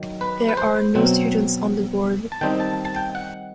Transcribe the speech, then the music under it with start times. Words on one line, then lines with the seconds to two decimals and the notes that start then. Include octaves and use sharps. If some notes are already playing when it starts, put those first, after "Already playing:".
There are no students on the Board.
Already playing: D#3 F#3
0.21 B4
0.49 B4
0.57 C5
0.95 B2 F#3 C4
2.32 A5
2.41 D#3 G3 C4 D#4 G5
2.60 A5
2.85 A5
2.96 G5
3.15 F#5